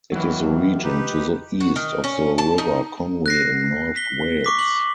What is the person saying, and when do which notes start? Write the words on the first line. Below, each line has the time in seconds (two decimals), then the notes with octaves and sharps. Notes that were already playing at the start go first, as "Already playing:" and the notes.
It is a region to the east of the River Conwy in north Wales.
0.12 G2 D#3 E3 F#3
0.83 D#4 G4 B4
1.60 F#4
1.76 D#3
2.04 C#4
2.38 A5
2.58 D#4
3.26 F#6 A#6 C7
3.96 B6 G7
4.44 C#6 D6 B6
4.59 F#7